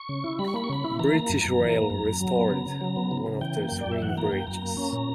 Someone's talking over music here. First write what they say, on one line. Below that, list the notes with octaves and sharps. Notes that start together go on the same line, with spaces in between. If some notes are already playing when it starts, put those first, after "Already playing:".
British Rail restored one of the swing bridges.
Already playing: C#6
C#3
E4
G3 B5
C#6
A#3 B5
C#6
C#3 B5
E4
E3 A#5
A#3
F#2
F#2
E3
A#3
F#2
F#2
F#3
B3
C#3
C#3
F#3
B3
C#3
C#3
E3 G5
A#3
F#2
D5
F#2
E5
E3 F#5
A#3 A#5
F#2 G5
F#2 A#5
A#3
C#4
A#2